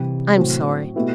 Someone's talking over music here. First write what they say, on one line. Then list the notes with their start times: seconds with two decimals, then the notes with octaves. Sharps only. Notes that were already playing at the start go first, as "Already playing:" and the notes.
I'm sorry.
Already playing: C3 E3 G3 C4 G4
0.37 A2 F#3 C4 F#4 C5
0.95 B2 A3 E4 G4 B4